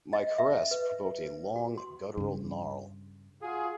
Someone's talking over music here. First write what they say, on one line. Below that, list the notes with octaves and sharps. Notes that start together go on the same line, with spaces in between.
My caress provoked a long, guttural gnarl.
D#5
E5
B4
F#4
C6
G2 C#3
F4 F#4 G#4